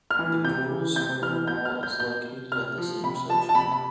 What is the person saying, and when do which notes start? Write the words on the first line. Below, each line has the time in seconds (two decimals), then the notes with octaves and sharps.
The Coral Square mall is located at this intersection.
0.11 F6
0.19 E3
0.44 C3 G6
0.70 E3
0.96 C3 G6
1.22 E3 F6
1.47 B2 G6
1.65 F6
1.83 G6
2.00 B2 G6
2.52 C3 F6
2.78 F3
3.04 C3 B5
3.29 F3 A5
3.49 A5
3.55 C3 B5
3.72 B5